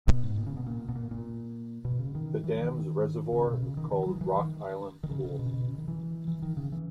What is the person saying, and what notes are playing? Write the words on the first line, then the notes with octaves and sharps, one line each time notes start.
The dam's reservoir is called Rock Island Pool.
B2
G#2
A#2
C#3
B2
A#2
B2
A#2
A#2
B2
C#3
D#3
E3
D#3
C#3
B2
C#3
D#3
D#3
F#3
D#3
E3
D#3
D#3
C#3
C#3
B2
C#3
B2
C#3
D#3
E3
E3
D#3
C#3
E3